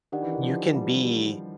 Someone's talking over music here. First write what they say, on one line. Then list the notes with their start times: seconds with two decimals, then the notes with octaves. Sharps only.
you can be
0.12 D#3 D4 G4 A#4 D5 F#5
0.22 E3
0.33 D#3
0.43 F3
0.75 G3